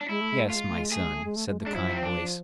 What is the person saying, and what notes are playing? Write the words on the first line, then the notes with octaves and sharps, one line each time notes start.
"Yes, my son," said the kind voice.
D4
G#3 E4
A3
G#3
A3
F4
G#3
A3
G#3
A3 G#4
G#3
A3
G#3
A3
G#3
A3
G#3 D4
F3 E4
C4
D4